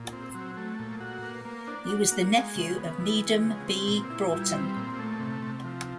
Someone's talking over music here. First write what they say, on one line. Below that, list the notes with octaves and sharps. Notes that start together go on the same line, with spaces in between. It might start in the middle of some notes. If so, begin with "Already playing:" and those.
He was the nephew of Needham B. Broughton.
Already playing: A#2
C4
F#3
A3
A#2
F#4
A#3
A#3
D4
F#4
A#3
G#3
C#3
B3
E3
G#3
C#3
C4
A#2
E4
G3
C4
A#2
A3
C3
C3
F3